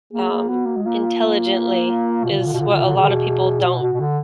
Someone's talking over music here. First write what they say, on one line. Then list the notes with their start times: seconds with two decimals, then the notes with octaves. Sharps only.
um, intelligently is what a lotta people don't
0.13 A#3 G#4
0.31 A#3
0.49 B3 F#4
0.66 A#3
0.76 G#3
0.84 A#3 F4
2.24 B2
2.31 D3
2.38 B2
2.46 D3
2.53 B2
2.60 D3
2.67 B2
2.74 D3
2.81 B2
2.88 D3
2.95 B2 G#4
3.02 D3
3.09 B2
3.60 A#2
3.65 B2 F#4
3.83 B2
3.93 B2
4.00 D3